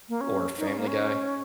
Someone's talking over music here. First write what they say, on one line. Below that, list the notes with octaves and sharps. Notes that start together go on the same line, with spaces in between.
or Family Guy
A#3
C#4
D#4
C#4
A#3
C#4